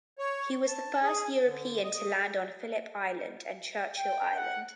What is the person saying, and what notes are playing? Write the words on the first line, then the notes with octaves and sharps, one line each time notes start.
He was the first European to land on Phillip Island and Churchill Island.
C#5
A5
G#4
D3
D#5
G5
F#5